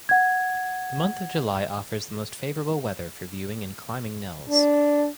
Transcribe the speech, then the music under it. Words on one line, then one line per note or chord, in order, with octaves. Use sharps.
The month of July offers the most favorable weather for viewing and climbing Nelles.
F#5 G#6
D4